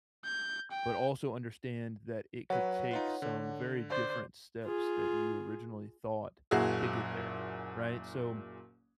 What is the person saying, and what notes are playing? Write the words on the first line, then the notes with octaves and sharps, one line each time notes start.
but also understand that it could take some very different steps that you originally thought to get there, right, so
G6
G5
F#3 B4 C#5 F#5
D#4 F4 B4
D3
C5 D5
F4 G#4
F#1 A#2 E4 F#4 G#4